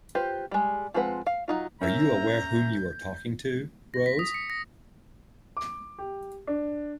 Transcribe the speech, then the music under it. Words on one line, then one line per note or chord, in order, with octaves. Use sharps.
Are you aware whom you are talking to, Rose?
F4 G4 B4 C5
G3 G#3
F3 G#3 C4 B4 F#5
F5
F#3 D#4 F4
C#4 A#4 E5 A#5 G6
A#6
B6
D#6
C#7
A#6
D6
G4
D4